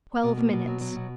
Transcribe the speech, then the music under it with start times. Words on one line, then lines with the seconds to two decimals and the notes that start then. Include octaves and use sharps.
Twelve minutes.
0.23 B2
0.37 A#3
0.52 B2
0.67 F#3
0.81 F#3
0.95 B2